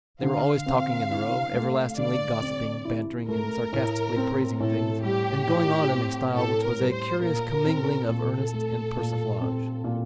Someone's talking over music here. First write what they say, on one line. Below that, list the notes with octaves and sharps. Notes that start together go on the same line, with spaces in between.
They were always talking in the Row, everlastingly gossiping, bantering and sarcastically praising things, and going on in a style which was a curious commingling of earnest and persiflage.
D3 F5
C4
E4
A3
D3 D5
C4
E4
A3 A#4
A2
C4
A2 A4
G3 G4
A2
C4
A2 A4
A#4
G3
C5
A#2 A#4
C4
A#2 A4
A3
A#2
C4
A#2